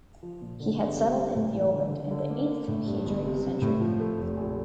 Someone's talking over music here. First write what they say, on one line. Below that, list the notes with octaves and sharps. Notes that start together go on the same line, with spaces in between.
He had settled in Deoband in the eighth hijri century.
F3
A#2
D3
G1
C3
G3
A2
E3
D3
D3
D3
A#3
D4
A2
G2
G1
C3
C3
A2
F3
A3
F1
A#1